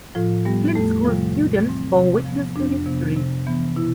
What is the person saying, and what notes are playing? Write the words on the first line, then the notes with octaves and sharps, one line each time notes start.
Flint School students bore witness to history.
A2 F3 F4
G3 B3 G4
E2 A3 A4
C3 F3 G3 F4
A2
E3 G3 C4
C3
F3 B3
F2 D4
C3 F3 B3
C3
E3 B3
B2 E4